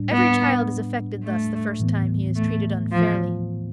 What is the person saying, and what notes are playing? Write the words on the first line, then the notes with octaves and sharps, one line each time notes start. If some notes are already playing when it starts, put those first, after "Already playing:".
Every child is affected thus the first time he is treated unfairly.
Already playing: A2 G3 D4
B3
A3
A2 E3 B3
A3
F3